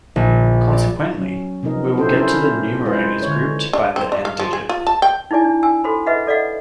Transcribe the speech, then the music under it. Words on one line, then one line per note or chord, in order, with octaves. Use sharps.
Consequently, we will get the numerators grouped by the end digit.
A#1
D5
F#3 C#4
C3 F3 B3 D#4 A#4 D#5
C4 C#4 E4 A4 C5
C#4 D4 E4 F4 A#4 C5
G#3 E4 F4 G#4 B4 C5
D3 C#5
D4
C4
D4
F5
F3
G#4
F4
A5
G5
D#4 E4 G#4 D5 G#5
D4
G5 G#5 E6
F#4 A4 C5 B5
G#4 B4 D#5 E5 F#5
A4 D5 D#5 F5 F#5